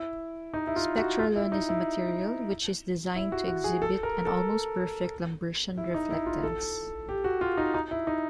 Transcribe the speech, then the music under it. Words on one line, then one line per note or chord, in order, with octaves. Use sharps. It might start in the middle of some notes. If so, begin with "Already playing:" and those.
Spectralon is a material which is designed to exhibit an almost perfect Lambertian reflectance.
Already playing: E4
D#4
E4
F4
F#4
F4
E4
D#4
E4
E4
F#4
F#4
G#4
A4
A#4
A4
E4
D#4
E4
F4
A4
G4
F#4
F4
D#4
D#4
E4
D#4